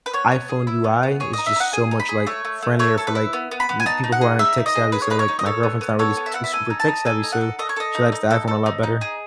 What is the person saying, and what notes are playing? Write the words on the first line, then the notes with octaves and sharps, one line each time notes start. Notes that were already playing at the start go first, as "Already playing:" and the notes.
iPhone UI is just so much, like, friendlier for, like, n people who aren't tech-savvy, so, like, my girlfriend's not really too super tech-savvy, so she likes the iPhone a lot better.
B4
B3 C#5
B3
G#4
E4
B3
B3
G#4 C#5
D#4 D#5
E5
D#4 F#5
G#4 G#5
D#4
B5
G#4
A3 C#5
A3
A3
A3 C#5
A4
B4
E4
B3
B3
B5
B3
G#5
D#4 A5
D#4
F#5
G#4
D#4 E5
D#4
D#5
G#4
G#4 B4
C#5
D#4 B4
C#5
D#4
D#5
A4 C#5
B3
B3
A4 C#5
B3
E5
E4 F#5
E5
A4 G#5
D#4
A5
D#4
A4 G#5
D#4
F#5
A4
A4 D#5
C#5
A4 D#5
D#4
D#4
A4
A4
D#4
D#4
G#4